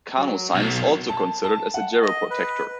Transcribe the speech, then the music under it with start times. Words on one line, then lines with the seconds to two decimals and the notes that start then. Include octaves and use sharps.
Carnosine is also considered as a geroprotector.
0.15 F#3
0.54 B1
1.09 A5
1.44 A5
1.74 F#5
2.03 D#5
2.30 B4